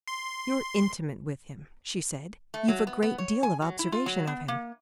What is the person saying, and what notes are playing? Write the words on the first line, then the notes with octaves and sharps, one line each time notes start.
"You're intimate with him," she said; "you've a great deal of observation of him."
C6
A3
F#3
B3
B3
C#5
G#5
F#3
E4
F4
F#3
B3
A#3